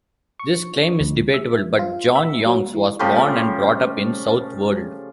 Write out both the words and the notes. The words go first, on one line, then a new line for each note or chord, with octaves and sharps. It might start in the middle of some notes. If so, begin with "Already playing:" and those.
This claim is debatable, but John Youngs was born and brought up in Southwold.
C#6
D2
E5
F4
E5
F#3
E3
C#3 F3 G3 A3